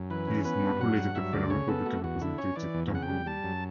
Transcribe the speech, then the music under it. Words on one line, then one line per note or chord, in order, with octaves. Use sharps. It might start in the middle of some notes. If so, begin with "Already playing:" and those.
He is not related to fellow Republican representative Tom Rooney.
Already playing: F#2
E3 B4
C#4
B3 B4
G2
F#3 F#5
G2
F#3 E5
D2 D5
C#3 C#5
B3 A4
A3 F#4
E2 F#4
D3 E4
C#4 C#5
E3 D5
E2
C#3 F#5
G5
G3
G3 A5
F#2